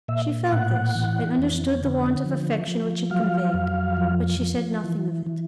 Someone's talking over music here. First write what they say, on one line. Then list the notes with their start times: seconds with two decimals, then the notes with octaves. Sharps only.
She felt this, and understood the want of affection which it conveyed; but she said nothing of it.
0.08 A#2 E5
0.52 A2 F#5
0.95 E3
1.38 F2
1.81 D3
2.25 F3
2.67 F3
3.10 F#3 F5
3.54 F2
3.97 F3
4.40 F3
4.84 E3
5.26 E3